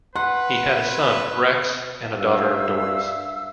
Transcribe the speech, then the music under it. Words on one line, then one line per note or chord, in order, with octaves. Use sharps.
He had a son, Rex and a daughter, Doris.
B4 F#5 C6
G2 E5 F5 E6